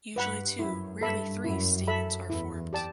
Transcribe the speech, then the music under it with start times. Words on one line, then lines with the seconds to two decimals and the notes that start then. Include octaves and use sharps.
Usually two rarely three stamens are formed.
0.16 G2 B4 F#5 B5
0.59 F#2 E4
1.01 G2 A4 E5 B5
1.44 F#2 E4
1.87 F#2 A4 E5 B5
2.29 E2 E4
2.73 G4 D5 A5